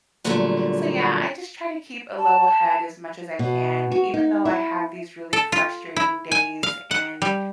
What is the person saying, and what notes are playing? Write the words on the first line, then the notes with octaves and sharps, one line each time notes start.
So, yeah, I just try to keep a level head as much as I can, even though I have these really frustrating days and
E2 A#2 D3 F#3 G3 A3
A5
B2
F#4
D#4
E4
A4
F4
E4
G#5
F5
F#5
G3